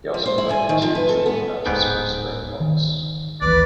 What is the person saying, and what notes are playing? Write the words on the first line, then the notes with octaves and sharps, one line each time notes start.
He also played in two tour matches for the Springboks.
F3
C5
E4
G#5
D#3
F3
B4
A4
B3
D1 G#2 B3 G5
D#3
A1 D#2 E3 B4 D5